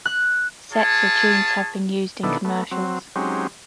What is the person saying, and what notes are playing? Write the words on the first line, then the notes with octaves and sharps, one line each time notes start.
Setzer tunes have been used in commercials.
F#6
F4 G#4 C#5 A5
B2 D#3 B3 D4 E4 A4
A3 B3
F#3 C4
F#3 G#3 C4 C#4 D#4 G4